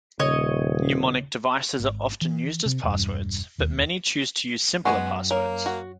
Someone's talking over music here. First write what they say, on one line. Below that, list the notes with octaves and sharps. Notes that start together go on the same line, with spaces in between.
Mnemonics devices are often used as passwords but many choose to use simpler passwords.
D#1 C#3 C#5 D#5
G#1
E3
C3
E1 G2
E1 D#2
F#2 G#3 B3 C5 F#5 G#5 C#6
A#3 A#4 C#5
F#4